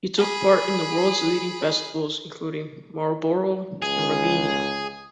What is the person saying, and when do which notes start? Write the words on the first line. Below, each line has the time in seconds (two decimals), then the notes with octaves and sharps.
He took part in the world's leading festivals, including Marlboro and Ravinia.
0.18 G#4 B5
3.82 C#2 G#4